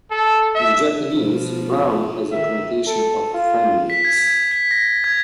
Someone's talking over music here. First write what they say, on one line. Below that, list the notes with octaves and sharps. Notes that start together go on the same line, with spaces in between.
In Japanese, round has a connotation of friendliness.
A4
E5
B2 F3 F4
D#3 E5
A4
F4
B6
G#6
B6
A#6
G#6